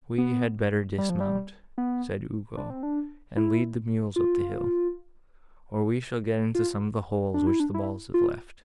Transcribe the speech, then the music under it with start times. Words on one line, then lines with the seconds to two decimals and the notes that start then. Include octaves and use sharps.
'We had better dismount,' said Ugo, 'and lead the mules up the hill, or we shall get into some of the holes, which the balls have left.
0.18 B3
0.98 G3
1.10 F3
1.20 G3
1.78 B3
2.57 D4
2.70 C4
2.83 D4
3.37 E4
4.16 F4
6.55 F4
7.34 D4
7.47 E4
7.60 D4
7.74 E4
8.14 F4